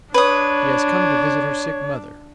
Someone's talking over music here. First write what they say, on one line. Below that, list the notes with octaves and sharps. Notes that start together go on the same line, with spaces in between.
She has come to visit her sick mother.
D4 B4 C#5 D#6